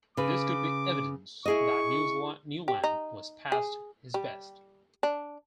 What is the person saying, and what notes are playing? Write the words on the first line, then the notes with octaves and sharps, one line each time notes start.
This could be evidence that Newland was past his best.
C#3 B4 D6
E4 G#4 D#5 C#6
G4
D#4
G#4
G3
D4